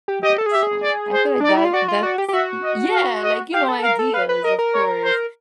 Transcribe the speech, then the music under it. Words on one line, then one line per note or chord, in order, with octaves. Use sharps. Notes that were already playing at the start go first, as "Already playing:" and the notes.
Yes. So, I feel like that that's Y yeah! Like, you know, ideas, of course.
G4
G4 D#5
A4
G#4
G4 E5
G#4
D5
C5
D4 D5
D#4
E4
F4
F#4 D5
F4
F#4 D5
G4
G4
F#4 E5
D#5
F5
D#5
G4 F5
A4
A4
A#4 F5
A4
B4 F5
B4
A#4 D#5
A#4
C#5
C5